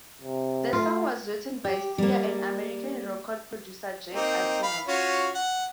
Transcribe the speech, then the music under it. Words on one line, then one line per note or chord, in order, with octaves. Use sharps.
The song was written by Sia and American record producer Jack Antonoff.
C3
A3 F4
G4
G3 A#3
A#3 C4 D#4
F5 B5
C#4 F4 F#4
F#5